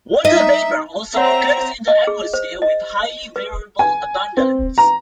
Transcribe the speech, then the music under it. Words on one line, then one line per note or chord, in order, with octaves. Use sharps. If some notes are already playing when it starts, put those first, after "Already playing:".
Water vapor also occurs in the atmosphere with highly variable abundance.
D#4 D#5 E5
C4 C#5 D5 E5 F#5 A#5
D#5
G#4
C5
D#5
B4
G#5
C4
A#5